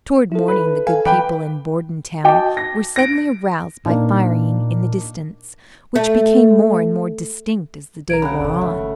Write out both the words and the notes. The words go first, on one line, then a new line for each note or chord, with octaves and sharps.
Toward morning the good people in Bordentown were suddenly aroused by firing in the distance, which became more and more distinct as the day wore on.
E4 A4
B4
A4 F5 G#5
E3 B4 G5 D6
F#4 D#5 G5 A5 D6
A#6
A#6 D7
A#2 A#3 D4 D#4
A3
B1 A#4 A#5 G#6 D7
C#3 F#5 B5
G1 E2 C3 A4 C#5
G#1 D3 A3